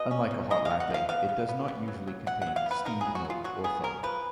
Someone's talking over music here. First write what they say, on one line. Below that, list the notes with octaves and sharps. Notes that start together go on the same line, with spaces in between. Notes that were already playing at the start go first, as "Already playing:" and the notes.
Unlike a hot latte, it does not usually contain steamed milk or foam.
Already playing: B2 D#5
C#4
B2
G#3 D#5
F5
C#3
F#5
F3 F5
B3 F5
B3
B3
B3
F#3
F#3
F#3 F#5
F#3 F#5
F5
B3 B4
D#4 A#4
F#3 G#4
F#4
F#3
F4
F#3 F#4
B3 G#4
F#3 A#4
F3 B4